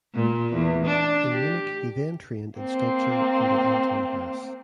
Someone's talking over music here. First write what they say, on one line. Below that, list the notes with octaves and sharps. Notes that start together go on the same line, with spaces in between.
In Munich he then trained in sculpture under Anton Hess.
A#2
E2
D4
G4
A#3 C4